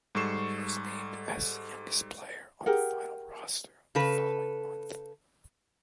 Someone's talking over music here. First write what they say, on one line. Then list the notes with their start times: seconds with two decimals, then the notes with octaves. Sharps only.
He was named as the youngest player on the final roster the following month.
0.15 G#2 G3 A4 C#6 C7 E7
2.66 G4 G#4 A#4 F#5
3.95 C#3 A4 B4